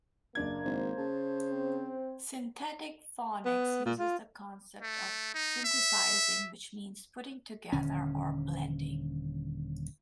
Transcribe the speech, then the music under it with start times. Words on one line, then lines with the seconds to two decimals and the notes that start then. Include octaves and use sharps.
Synthetic Phonics uses the concept of 'synthesising', which means 'putting together' or 'blending'.
0.35 F#1 A#3 D4 G#6
0.65 G#1 C5
0.98 C#3 A5
1.51 C4
3.45 B3
3.86 A#2
3.99 F4
4.82 A3
5.34 D#4
5.65 E5
7.72 D#1 D3 C#4